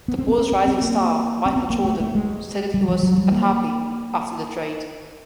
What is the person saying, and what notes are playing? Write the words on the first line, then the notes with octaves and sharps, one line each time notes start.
The Bulls' rising star Michael Jordan stated he was "unhappy" after the trade.
B3
C4
B3
C4
C4
C4
A#3
C4
B3
A#3
A3
A3
G#3
G3
F3
F#3
G3
A#3